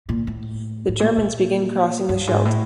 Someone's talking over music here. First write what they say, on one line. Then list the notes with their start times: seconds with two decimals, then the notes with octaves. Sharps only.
The Germans begin crossing the Scheldt.
0.09 A#2
0.27 A2
0.88 A2
0.99 A#2
1.17 A#2
2.09 G2
2.27 G#2
2.45 A2